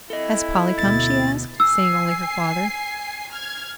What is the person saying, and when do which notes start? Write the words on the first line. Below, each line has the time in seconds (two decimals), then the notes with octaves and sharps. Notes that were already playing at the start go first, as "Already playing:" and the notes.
"Has Polly come?" she asked, seeing only her father.
0.10 E4 A4 D#5
0.78 D2 B2 A6
1.60 G#5 E6 C7
3.32 F6 G#6